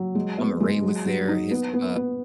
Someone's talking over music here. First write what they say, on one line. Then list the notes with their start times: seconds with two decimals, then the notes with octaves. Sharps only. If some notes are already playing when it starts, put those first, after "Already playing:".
Summer Ray was there, his uh
Already playing: F#3
0.15 G#3
0.38 B3
0.60 G#3
0.83 F#3
1.06 F#3
1.28 D#4
1.51 B3
1.73 B3
1.96 B3